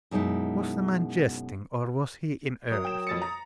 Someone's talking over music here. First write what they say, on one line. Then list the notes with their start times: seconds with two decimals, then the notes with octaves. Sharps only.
Was the man jesting, or was he in earnest?
0.11 F#2 B2 G#3 D#4 E4
2.71 F#3 A#4 C#5 D#6
2.85 G5 E7
3.07 F2 A6 C#7
3.22 A#5